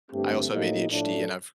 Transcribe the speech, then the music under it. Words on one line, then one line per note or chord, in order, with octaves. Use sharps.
I also have ADHD, and I've,
G2 D3 A3 C4 G4
A2 F3 A#3 D#4 G4
A2 F3 A3 D4 A4